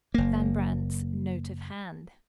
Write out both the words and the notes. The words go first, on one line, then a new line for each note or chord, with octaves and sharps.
Van Brandt's note of hand!
F#1 A#3